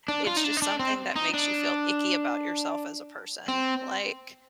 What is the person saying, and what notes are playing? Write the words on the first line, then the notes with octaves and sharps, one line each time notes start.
It's just something that makes you feel icky about yourself as a person. Like
D4
F4
D#4
D4
D#4
D4
C4
D#4
D4
C4